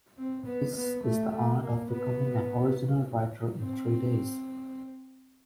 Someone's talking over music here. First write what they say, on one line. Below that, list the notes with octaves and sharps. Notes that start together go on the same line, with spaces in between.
That is the art of becoming an original writer in three days.
C4
B3
B3
A3
A3
A#3
B3
C4